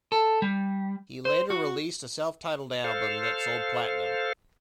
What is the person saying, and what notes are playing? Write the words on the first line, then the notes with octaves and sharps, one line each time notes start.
He later released a self-titled album that sold platinum.
A4
G3
C5
F#4
A4 C5 F5